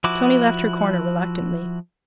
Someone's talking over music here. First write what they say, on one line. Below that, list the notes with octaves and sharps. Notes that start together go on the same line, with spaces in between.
Tony left her corner reluctantly.
F3 E4 F#4 D6